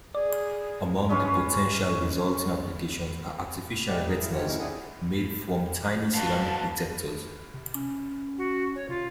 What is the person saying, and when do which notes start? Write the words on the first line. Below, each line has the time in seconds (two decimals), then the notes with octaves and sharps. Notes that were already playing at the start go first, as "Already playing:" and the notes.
Among the potential resulting applications are artificial retinas made from tiny ceramic detectors.
0.15 G#4 D5
1.09 G#3 C#4 B4 F5
3.88 G#3 A3 C4 G4 D5 F#5
4.06 G#4 A#4
4.18 E2 G#2 E4 F5
4.32 D#4 F4 G4 C#5 F#5
4.46 F2 A2 C#4 D#4 E4 A#4
4.59 C4 D4 E4 G#4 F#5 G#5
6.15 F#4 B4 F5 A5
7.54 C3
7.75 C#4
8.38 F#4
8.76 C#5
8.89 C3 F4